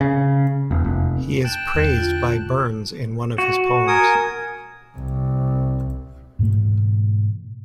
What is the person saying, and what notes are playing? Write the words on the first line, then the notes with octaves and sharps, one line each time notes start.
He is praised by Burns in one of his poems.
C#3
E1
F1
G5 A5 F#6
E2 D3
F4
F#4
A#4 G#5 D#6
C2
G#2 B2 E3 A3